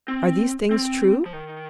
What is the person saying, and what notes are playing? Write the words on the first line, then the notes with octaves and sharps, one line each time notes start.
"Are these things true?"
C4
C4
F3
D#3